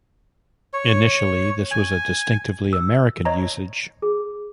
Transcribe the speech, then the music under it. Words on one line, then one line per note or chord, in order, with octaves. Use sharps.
Initially this was a distinctively American usage.
C#5
G#5
E6
C#5 D#5 A#5
G#4